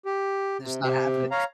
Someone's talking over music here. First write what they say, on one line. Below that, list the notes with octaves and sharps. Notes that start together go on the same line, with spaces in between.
Just not having it.
G4
C3
C3 G4
C#5 F5 A#5